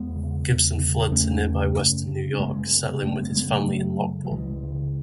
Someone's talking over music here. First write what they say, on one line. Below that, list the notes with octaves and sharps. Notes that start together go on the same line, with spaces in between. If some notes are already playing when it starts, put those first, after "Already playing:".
Gibson fled to nearby western New York, settling with his family in Lockport.
Already playing: E2 G#3 B3
C#3
E2
C#3
E2 A3 C#4
C#3
F#2
C#3
C#4
F#2 G#3 B3
C#3
F#2 A3 C#4
G#3 B3
C#3 G#3 B3
B3
F#3 A3
F#2
C#3
F#3
C#2 E3 G#3
C#3